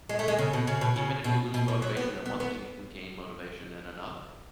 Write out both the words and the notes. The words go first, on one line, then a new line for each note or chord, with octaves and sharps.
uh, even if you lose motivation in one thing, you can gain motivation in another.
G#3
A3
G#3
C#3
B2
C#3
B2
C#3
B2
B2
B2
F#3
B3
B3
B3